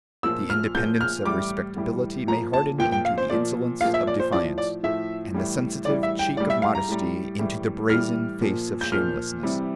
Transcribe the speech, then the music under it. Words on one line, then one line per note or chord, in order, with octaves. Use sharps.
The independence of respectability may harden into the insolence of defiance, and the sensitive cheek of modesty into the brazen face of shamelessness.
A#2 F3 E6
F6
A#2 F3 G6
F6
A2 E3 G3 D6
A2 E3 G3
A#2 F3 A#5
A5
A#2 F3 G5
G5
F5
C5
A#2 F3 D5
A#2 F3 F5
E5
D5
C5
A2 F3 D5
D5
A2 F3 E5
A2 E3 G3
A2 E3 G3 D5
E5
G5
A2 G3 D5
E5
F5
A#5
A2 G3
A2 E3 G3
A2 E3 G3 F6
A#2 F3
G6
A#2 F3 F6
C3 E3 G3